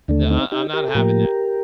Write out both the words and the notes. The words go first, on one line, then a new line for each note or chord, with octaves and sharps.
n I I'm not having that."
D#2 D3 A3 D4
C4 D#4
D#4 G4
G4 A#4
A4
A2 F3 A#3 G4 A#4